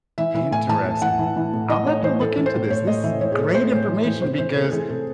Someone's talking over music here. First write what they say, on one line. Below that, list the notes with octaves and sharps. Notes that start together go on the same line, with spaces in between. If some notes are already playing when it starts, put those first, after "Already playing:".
Interesting. I'll have to look into this. This is great information because
E3 E5
E3 E5
A2 G#5
E3 A5
A2
E3 F#5
E3
E3
A2
E3 D#5
A2 C#5
E3 C5
E3 A4
E3
C5
A2
A2 C#5
A2 D#5
E3 E5
E3 C#5
G#4
A2 A4
A2 C5
A2
E3
E3
C3 C5
E3 C5
C3 A4
E3 G#4
C3 A4